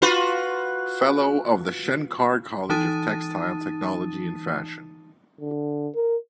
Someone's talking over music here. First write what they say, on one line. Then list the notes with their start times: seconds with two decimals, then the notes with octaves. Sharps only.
Fellow of the Shenkar College of Textile Technology and Fashion.
0.02 F4 F#4 B4
2.69 E3 D#4 A5 D#6 A6 D#7
5.41 D3
5.95 A#4